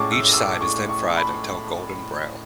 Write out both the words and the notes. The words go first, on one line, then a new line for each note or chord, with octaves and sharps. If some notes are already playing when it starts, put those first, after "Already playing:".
Each side is then fried until golden brown.
Already playing: A2 G#3 C#4 A5 C#6 D6
E6
E6
C#6
C#6
B5